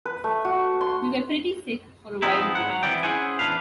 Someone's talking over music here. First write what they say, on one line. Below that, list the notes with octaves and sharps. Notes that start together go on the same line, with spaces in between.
We were pretty sick for a while there.
B4
A3
F#4
C6
F3 B3 C4 D#4 E4
G#2 F#5
F#3
E3 B3 C4 E4 D5 G5
C#4 E4 G#4 C5 F#5 G#5
E2 C3 D4 B4 F5